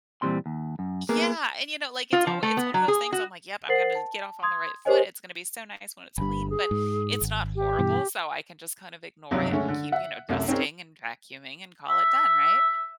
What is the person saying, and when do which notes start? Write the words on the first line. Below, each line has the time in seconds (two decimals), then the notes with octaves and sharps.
Yeah, and, you know, like, it alw it's one of those things, I'm like, "Yep, I'm gonna get off on the right foot. It's gonna be so nice when it's clean." But it's not horrible, so, I can just kind of ignore it and keep, you know, dusting, and vacuuming, and call it done, right?
0.22 A#2 E3 G3 C4 C6
0.46 D#2
0.79 F#2
1.09 A#3 B3 G#4 A#4
2.13 F4
2.27 F3
2.43 A3
2.57 B3
2.74 F#3
2.88 G#4
3.12 F#4
3.69 A#4 C5 F#5 A6 C7 F#7
3.95 A5
4.43 C6 D#6 G#6
4.85 G4 A#4 C5 C#5 D#5 G#5
6.18 G1 G2 B5
6.50 G#4
6.71 G#2
7.22 G#1
7.56 G4
7.79 G2 B2 E3
9.31 C#2 G2 C3 D#3 F#3
9.50 D3 G#3 A3 C#4
9.68 D3
9.92 E5 F#5
10.29 C2 F#2 C3 A3
10.48 C4 C#4 D#4 G#4 A#4
11.89 E5